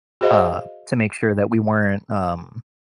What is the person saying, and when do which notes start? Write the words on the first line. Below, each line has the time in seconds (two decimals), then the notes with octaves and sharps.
uh, to make sure that we weren't, um,
0.21 F#4 G#4 C5 D#5 F5